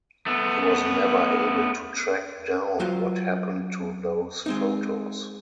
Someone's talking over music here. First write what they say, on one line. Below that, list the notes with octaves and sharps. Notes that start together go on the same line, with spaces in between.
He was never able to track down what happened to those photos.
A3 B3
F#3 F4 F#4 C5 F5
G#3 C4 D#4